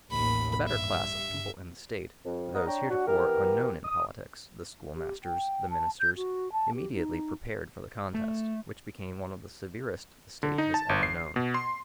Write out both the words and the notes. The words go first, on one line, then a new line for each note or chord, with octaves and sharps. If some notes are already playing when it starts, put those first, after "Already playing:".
The better class of people in the State, those heretofore unknown in politics, the schoolmasters, the ministers, immediately prepared for the contest, which became one of the severest the State has ever known.
A1 D#2 B5
G2 E5
F2
B3 A#4 D#5
D4 C#5 G5 A#5
F#3 D4 F#4
E3 B3 G4 A#4
D#6
G4
G5
A5
G6
F#4
A5
G4
D#4
A3
D3
D#4
A5
G1
C7
B2
C6